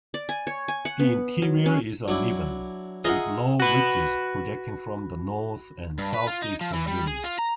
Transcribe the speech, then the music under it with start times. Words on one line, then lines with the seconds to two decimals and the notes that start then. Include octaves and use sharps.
The interior is uneven, with low ridges projecting from the north and southeastern rims.
0.14 D5
0.29 G#5
0.47 C#5
0.68 G#5
0.85 F#5
0.99 B3
1.42 F#3
1.66 C#4
2.08 F#3 D4 E4
3.04 F4 G#4 D#5 E5 F#5 A#5
3.60 F#4 B4
5.98 G2
6.14 B4
6.27 F4
6.42 D#4
6.61 F3
6.73 E3
6.88 G3
7.07 G#4
7.24 F4
7.39 A#5